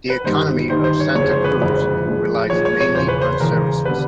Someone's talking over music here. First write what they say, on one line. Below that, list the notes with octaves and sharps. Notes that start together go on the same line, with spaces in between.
The economy of Santa Cruz relies mainly on services.
B4
G1 G2 D#3 C5
G1 G2 D#3 C5
C5
C#5
F#1 F2 D3 F3 G#3 C#5
C5
B4
F#1 F2 D3 F3 G#3
A#2 F3 G#3
A#2 F3 G#3 C#5
C#5
C#5
E1 E2 C#3 C5
B4
C5
E1 E2 C#3 A#4
D3 G3 B3 D4 B4